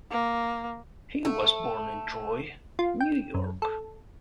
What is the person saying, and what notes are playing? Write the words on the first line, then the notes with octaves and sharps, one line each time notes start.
He was born in Troy, New York.
A#3
A3
F4
G5
F#2
A4